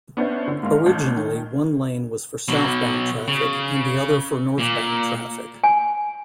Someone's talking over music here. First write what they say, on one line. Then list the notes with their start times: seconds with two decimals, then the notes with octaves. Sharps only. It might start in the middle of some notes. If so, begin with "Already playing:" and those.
Originally, one lane was for southbound traffic and the other for northbound traffic.
0.17 B3 C#4 D4 B4 C5 E5
0.48 D3
0.63 G#2 A#3 D4 C6 F6
0.86 A1 A5 G6
1.16 D#3
2.48 B2 F#3
3.28 C#3
4.59 A#2
5.64 G#5